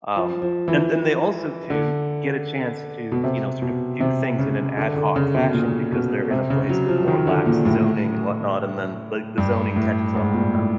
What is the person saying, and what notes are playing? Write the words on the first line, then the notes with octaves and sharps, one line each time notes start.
Um. And and they also, too, get a chance to, you know, sort of do things in an ad hoc fashion because they're in a place with more lax zoning and whatnot, and then, like, the zoning catches up with them.
F3
F3
E3
D3
B2
C3
B2
C3
C#3
D3
D3
C#3
B2
A#2
B2
C3
C#3
F#3
F3
D#3
D3
A#2
A2
G2
A2
G#2
A#2
A2